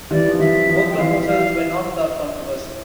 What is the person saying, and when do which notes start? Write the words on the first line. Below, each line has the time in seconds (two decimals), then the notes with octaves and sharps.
Both proposals were not without controversy.
0.11 E3 G3 D5
0.28 F3
0.39 E3 G3 E5
0.69 F3
0.91 G5
0.98 E3 F5
1.22 E5
1.28 F5